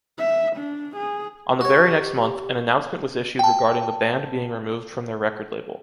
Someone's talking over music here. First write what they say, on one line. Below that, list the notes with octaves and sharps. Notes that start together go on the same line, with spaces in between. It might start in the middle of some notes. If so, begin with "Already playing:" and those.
On the very next month, an announcement was issued regarding the band being removed from their record label.
E5
D4
G#4
F#4 G4 C#5
G5 A5